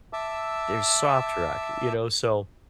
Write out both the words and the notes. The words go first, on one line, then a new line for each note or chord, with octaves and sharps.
there's soft rock, you know? So,
E5 A5 D6 E6